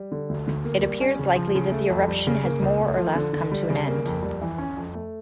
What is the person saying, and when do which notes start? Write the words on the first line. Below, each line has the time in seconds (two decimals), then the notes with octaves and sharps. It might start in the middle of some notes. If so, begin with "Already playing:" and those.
It appears likely that the eruption has more or less come to an end.
Already playing: G3
0.12 D3
0.29 D2
0.47 D2
0.65 A#3
0.83 G3
1.01 C#4
1.19 C#3
1.36 F3
1.55 C#3
1.72 A3
1.90 F2
2.08 G3
2.27 C#3
2.43 A#3
2.62 C#2
2.80 A3
2.97 F3
3.15 D3
3.33 D3
3.52 G3
3.70 C#3
3.87 A#3
4.05 F2
4.23 G3
4.41 E3
4.58 C#4
4.77 F2
4.95 A3